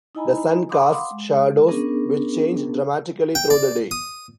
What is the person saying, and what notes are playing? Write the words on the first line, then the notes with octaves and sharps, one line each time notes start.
The sun casts shadows which change dramatically through the day.
D#4 E4 D#5 G#5 A#5 B5
F5 F#5 B5 C6 D6 D#6
G#3
B3 C#4 D4 G#4 A#4
G5
D5
D#6